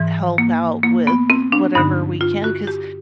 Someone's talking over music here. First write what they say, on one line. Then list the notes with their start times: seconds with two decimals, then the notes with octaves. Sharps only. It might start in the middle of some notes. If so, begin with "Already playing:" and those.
help out with whatever we can, 'cause
Already playing: G#2 E3
0.38 A#3
0.83 A#3
1.07 B3
1.30 C4
1.52 D4
1.75 G2 D3 D#4
2.21 F4
2.44 F#4
2.67 G4